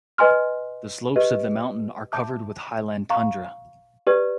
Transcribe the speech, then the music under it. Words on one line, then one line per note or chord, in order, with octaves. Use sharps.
The slopes of the mountain are covered with highland tundra.
B4 D#5 G#5 C6 F6
G4 B4 D#5
E5 A5 D6 G6
F5 A#5 C#6
G4 B4 D5